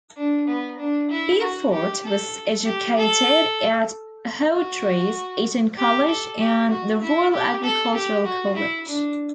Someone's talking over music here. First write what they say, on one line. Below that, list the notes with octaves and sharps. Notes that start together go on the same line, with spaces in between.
Beaufort was educated at Hawtreys, Eton College, and the Royal Agricultural College.
D4
B3
D4
E4
F#4
G4
A4
G4
A4
F#4
G4
A4
G4
F#4
E4
G4
A4
G4
F#4
E4
D4